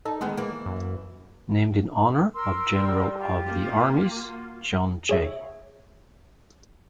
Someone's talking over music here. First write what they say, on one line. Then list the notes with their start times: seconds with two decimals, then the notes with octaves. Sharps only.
Named in honor of General of the Armies John J.
0.05 D#4 A4
0.21 D2 D#3 G#3 B3
0.37 E3 A#3
0.66 F#2
2.34 A#4 C6 E6
2.72 G3
3.17 F4 G4
3.47 A#3
4.13 F4 F#4
5.09 G#4 C#5 E5